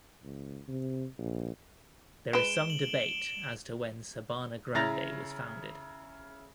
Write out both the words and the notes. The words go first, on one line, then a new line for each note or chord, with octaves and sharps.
There is some debate as to when Sabana Grande was founded.
C#2
C3
A#1
G#3 B4 D7 E7 G7
F#7
C#3 E4 A#5 A6 A#6 F7